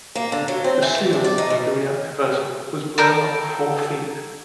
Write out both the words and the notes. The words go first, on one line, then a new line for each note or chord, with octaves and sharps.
The seal of the reactor vessel was blown up four feet.
A#3
D3
F#3
C4
E3
F2
D4
D5
D#4
B2
A4 A#4 G5